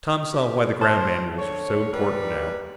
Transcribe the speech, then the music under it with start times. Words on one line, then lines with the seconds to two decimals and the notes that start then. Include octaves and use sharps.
Tom saw why the ground manuals were so important now.
0.33 G4
0.81 C5 A5
1.39 D3 C#5
1.92 G3 A#4 B4